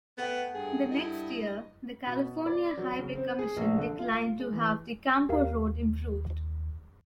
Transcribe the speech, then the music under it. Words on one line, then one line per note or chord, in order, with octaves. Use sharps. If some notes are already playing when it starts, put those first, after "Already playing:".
The next year, the California Highway Commission declined to have the Campo road improved.
A3 B3 F#5 G5
G2 G#4
E4 D#5
B2
D5
F#3
C#3
C4
G#4
A#1
D3
F4
G#3
E3
D#2 G4 A#4 F5